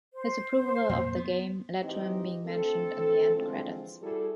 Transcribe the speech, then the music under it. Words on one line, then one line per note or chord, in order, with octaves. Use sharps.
His approval of the game lead to him being mentioned in the end credits.
C5
F2 A#2
B3
G#2 E3 C4 D#4 G4 D#5
D2 A3 C4 A4
D3 E3 F3 G#3 C4
G3 E4 F#4 G#4 A4